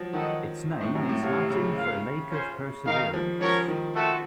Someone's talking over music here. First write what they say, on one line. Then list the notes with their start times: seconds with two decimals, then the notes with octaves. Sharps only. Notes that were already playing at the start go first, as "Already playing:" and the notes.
Its name is Latin for Lake of Perseverance.
Already playing: F3 F#3
0.13 D#3 D#4 A4 D#5 F#5
0.68 A3 C4 D#4
0.81 A2
0.95 F#2
1.09 A2
1.22 C3 F#4 A4 C#5 F5
1.50 C#3
1.78 F4 A#4 F5
2.31 C#4 F4 C5
2.86 D#3 D#4 A#4 F5
3.13 F3
3.40 F3 C#4 F#4 A#4 C#5
3.68 D#3
3.95 A3 C4 F#4 A4